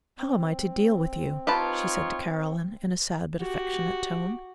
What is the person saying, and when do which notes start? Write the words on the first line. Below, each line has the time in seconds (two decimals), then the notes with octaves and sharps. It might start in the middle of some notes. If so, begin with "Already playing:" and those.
"How am I to deal with you?" she said to Caroline, in a sad but affectionate tone.
0.19 C4
1.47 D#4 F4 G4 B4 C#5 A5
3.40 F#4 G4